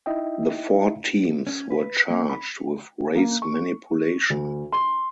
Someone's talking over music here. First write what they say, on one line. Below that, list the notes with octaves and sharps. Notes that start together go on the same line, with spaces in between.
The four teams were charged with race manipulation.
D#4 E4 D#5 E5 G5
C#4
B4
A#3
B5
A#3
C#6
D2
C6